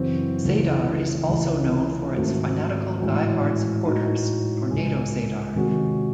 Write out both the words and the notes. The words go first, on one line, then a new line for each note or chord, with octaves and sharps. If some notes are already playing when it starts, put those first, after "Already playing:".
Zadar is also known for its fanatical die hard supporters, Tornado Zadar.
Already playing: F#2 C#3 E3 C4 F#4
C#2 C#3 E3 A3
C#2 C#3 E3 A3 C#4
G#2 D#3 A3 C4 F#4
A2 E3 G#3 C#4 F#4
A2 G#3 D#4 F#4
C#2 C#3 G#3
C3 D#3 G#3 C#4 F#4